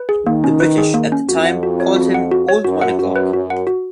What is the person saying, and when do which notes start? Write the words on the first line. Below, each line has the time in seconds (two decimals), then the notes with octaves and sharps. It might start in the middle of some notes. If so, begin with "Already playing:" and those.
The British at the time called him "old one o'clock".
Already playing: B4
0.09 G#4
0.26 D#3 A#3
0.44 C#4
0.60 B4
0.78 G#4
0.94 A#3
1.12 C#4
1.28 F2 F#4
1.45 F#5
1.63 F#4
1.80 C#5
1.96 F#4
2.14 F#5
2.31 F#4
2.49 C#5
2.64 F#2 F#4
2.81 F#5
2.99 F#2 F#4
3.16 B4
3.33 F#2 F#4
3.50 F#5
3.67 F#4